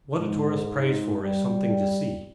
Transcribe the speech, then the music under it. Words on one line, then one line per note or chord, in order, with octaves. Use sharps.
What a tourist prays for is something to see.
G#2
G3